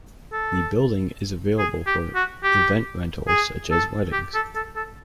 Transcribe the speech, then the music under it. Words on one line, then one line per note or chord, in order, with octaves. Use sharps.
The building is available for event rentals, such as weddings.
A4
G#4
G4
F#4
G4
G#4
A4
G4
A4
A4
A4